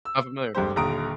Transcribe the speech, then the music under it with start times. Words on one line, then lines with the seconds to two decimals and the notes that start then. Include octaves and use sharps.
Not familiar.
0.05 E6
0.55 F1 G2 G#3 G4 C5
0.76 D#1 D#2 D3 A#5 D#6 D7